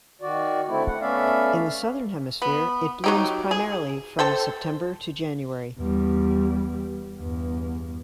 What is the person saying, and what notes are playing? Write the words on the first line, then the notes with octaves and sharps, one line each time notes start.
In the Southern Hemisphere it blooms primarily from September to January.
D#3 F#4 D5
D3 A3 C4 E4
F#5
A3 B3 C#4 D5 E5 F5
B3
F#3 D#4 G4
G#4
A4 C5 G5
E2 G3
E2 G2